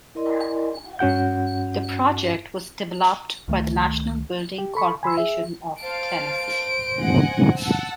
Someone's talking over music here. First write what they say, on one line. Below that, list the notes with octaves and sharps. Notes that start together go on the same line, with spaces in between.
The project was developed by the National Building Corporation of Tennessee.
E4 A#4 D5 D#5 C6
G2 C#4 F#4 F#5 G6
C#2 D#3 E3 A3
G4
A4 B5 C#6
G#5 B5 C6 E6
G#4 E5
C5 F5 A5 D7
D#5 F#5 G#5
F#5 A5 E6